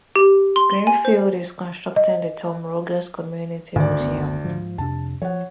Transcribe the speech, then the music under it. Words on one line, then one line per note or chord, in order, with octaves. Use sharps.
Greenfield is constructing the Tom Rogers Community Museum.
G4
C6
G7
G#5
C5
D#5
D2 G#2 D5
F#1 E2 B3
G#2 F3
F2 C3 D4 A5
F3 C#5 F#5